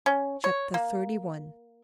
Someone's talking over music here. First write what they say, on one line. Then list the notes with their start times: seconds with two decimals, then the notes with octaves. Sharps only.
Chapter XXXI.
0.06 C#4
0.44 C#5
0.74 A#3